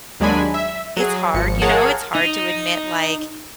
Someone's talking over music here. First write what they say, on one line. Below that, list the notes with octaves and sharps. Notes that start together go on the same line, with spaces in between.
it's hard, you know? It's hard to admit like,
D#2 F#3 G#3 D4 G#5 B5
E5
F#3 G#4
G#1 F3 C#7
G#4 A#4 C#5 F5 F#5 A5
D#4